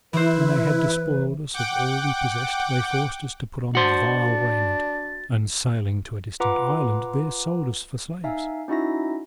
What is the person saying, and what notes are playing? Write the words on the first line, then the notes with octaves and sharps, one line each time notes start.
When they had despoiled us of all we possessed, they forced us to put on vile raiment, and sailing to a distant island there sold us for slaves.
E3 E4 B4 C5
F#5 G5 D6
D4 F#4 C5 A6
F4 B4 F#5 A#5 C6 D6
D#4 E5 F5 G#5
C#4 D#4 E4 F#4 E5 A#6